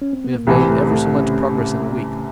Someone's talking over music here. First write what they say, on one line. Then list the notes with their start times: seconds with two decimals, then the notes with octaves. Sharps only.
We have made ever so much progress in a week.
0.02 C#4
0.13 C4
0.24 B3
0.35 A#3
0.46 C2 A2 C3 E3 A3
0.70 A2 A3
0.92 A2 A3
1.16 C#3 C#4